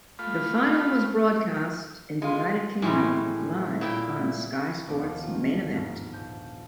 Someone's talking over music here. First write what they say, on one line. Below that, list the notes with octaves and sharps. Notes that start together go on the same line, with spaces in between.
The final was broadcast in the United Kingdom live on Sky Sports Main Event.
A3 F4 F5 B5
G#3 F4
A2 E3 G3 G#3 C#4 G#4
A#2 E4 G5
G5 A#5 B5 C#6 D#6 G#6
F1 D#2 B2 B3 D#4 D5
D#3 F4
G1 G#2 B2
A#1 G6